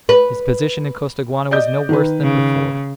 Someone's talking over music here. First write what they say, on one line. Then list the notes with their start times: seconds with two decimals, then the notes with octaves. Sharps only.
His position in Costaguana was no worse than before.
0.09 B4
1.51 D5 D#5 G6
1.89 D#3 B4
2.23 C#3